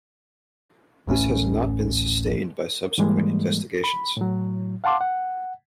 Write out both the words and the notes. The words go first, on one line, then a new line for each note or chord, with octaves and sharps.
This has not been sustained by subsequent investigations.
D1 A1 A2 C#4
G#2 E3 G3 G#3 A#3
B5
A2 F#3
F5 F#5 A5 C6 D6
F#5